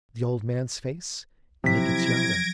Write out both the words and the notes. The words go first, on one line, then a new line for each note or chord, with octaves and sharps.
The old man's face, and it gets younger.
C3 F3 F#3 E4 G#6 A#6 B6 D7